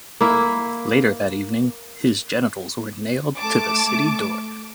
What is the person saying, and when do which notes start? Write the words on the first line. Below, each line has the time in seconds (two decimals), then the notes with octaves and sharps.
Later that evening, his genitals were nailed to the city door.
0.21 A#3 E4
3.37 A3 A5 D6